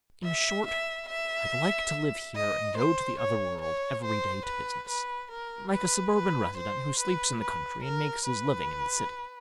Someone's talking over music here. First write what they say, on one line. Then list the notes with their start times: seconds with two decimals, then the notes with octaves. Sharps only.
In short, I'd like to live here and go to the other world every day to business, like a suburban resident who sleeps in the country and makes his living in the city.
0.24 E5
0.67 E5
1.08 E5
2.35 D#5
2.77 C5
3.19 C#5
3.62 C#5
4.05 C5
4.46 B4
4.89 B4
5.31 A#4
5.73 B4
6.15 B4
6.57 C5
6.99 B4
7.42 B4
7.84 A#4
8.26 B4